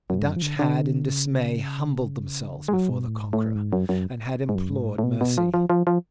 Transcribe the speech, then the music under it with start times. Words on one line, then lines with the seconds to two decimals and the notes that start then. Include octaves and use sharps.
The Dutch had in dismay humbled themselves before the conqueror, and had implored mercy.
0.10 F#2
0.19 G#2
0.26 F#2
0.36 F3
0.42 D3
0.59 D3
1.08 C#3
2.57 D3
2.68 G#3
2.73 F#3
2.89 B2
3.07 A2
3.19 G#2
3.33 A2
3.55 G#2
3.73 F#2
3.89 F#2
4.49 G#2
4.55 F#2
4.71 G#2
4.88 A2
4.98 A2
5.03 B2
5.21 B2
5.38 F3
5.54 F3
5.70 F3
5.87 F3